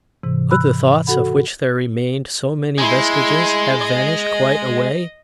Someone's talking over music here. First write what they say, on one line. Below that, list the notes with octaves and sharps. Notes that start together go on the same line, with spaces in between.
Could the thoughts, of which there remained so many vestiges, have vanished quite away?
G#2 C3 E3
B5 E6 F#6
F#4 A4 F#5 B5
G#3 E4 C6
D#5